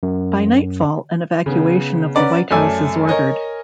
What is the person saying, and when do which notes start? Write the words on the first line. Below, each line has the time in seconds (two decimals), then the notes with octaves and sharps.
By nightfall, an evacuation of the White House is ordered.
0.03 F#2
1.46 C#3 B3
2.15 C#4 B4 D5 F#5 A#5
2.51 F#2 A3 A4 D5 G#5 E6
3.07 A#4 C#5 D#5 G#5